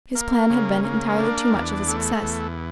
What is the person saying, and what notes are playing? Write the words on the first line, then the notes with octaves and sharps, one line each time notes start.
His plan had been entirely too much of a success.
A#3
C#3
A#3
D4
E2
A3
E2